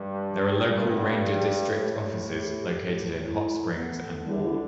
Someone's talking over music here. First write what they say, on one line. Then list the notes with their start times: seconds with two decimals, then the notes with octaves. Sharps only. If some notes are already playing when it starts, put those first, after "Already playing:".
There are local ranger district offices located in Hot Springs and Wall.
Already playing: G2 G3
0.68 G2 G3
0.81 A3
0.93 B3
1.19 G4
1.70 A2
2.21 G4
2.72 A2
3.23 E4
3.74 A3 B3
4.25 D3 G3
4.42 E4